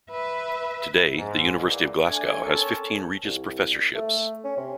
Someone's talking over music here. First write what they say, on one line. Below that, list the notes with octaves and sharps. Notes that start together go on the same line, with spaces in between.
Today, the University of Glasgow has fifteen Regius Professorships.
B4 E5
G#2
E2 A#2
A3 D4 G#5
C4 C#4 A4 A#4 C#5
C2
A3
C#4
C3